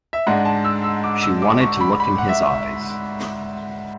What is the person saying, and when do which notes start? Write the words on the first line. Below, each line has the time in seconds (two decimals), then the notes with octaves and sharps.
She wanted to look in his eyes.
0.13 E5
0.27 G#2 G#3 D4 F#5
0.45 A5
0.65 E6
0.84 E6
1.04 D6
1.23 E6
1.42 D6
1.61 C#6
1.81 B5
2.00 B5
2.18 F#5
2.29 E5